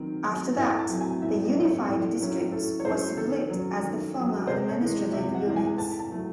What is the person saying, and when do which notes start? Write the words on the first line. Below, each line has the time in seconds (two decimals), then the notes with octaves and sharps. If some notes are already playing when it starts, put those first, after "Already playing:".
After that, the unified districts were split as the former administrative units.
Already playing: D#3 F#3 C4
0.25 F#3 C4
0.57 A2 E5
0.79 A5
0.89 F#3 A3 C4
1.00 G#5
1.22 A2 E5
1.44 D#5
1.55 F#3 A3 C4
1.65 C#5
1.88 A2
2.20 F#3 A3 C#4
2.52 A2 A4
2.80 C#5
2.85 F#3 A3 C#4 C5
3.17 D#3 A4
3.50 F#3 C#4
3.83 D#3
4.15 F#3 C#4
4.47 C3 C5
4.69 C#5
4.80 E3 G#3
4.91 D#5
5.13 C3 E5
5.35 F#5
5.46 E3 G#3
5.56 G#5
5.78 A2 A5
5.99 A5
6.11 F#3 A3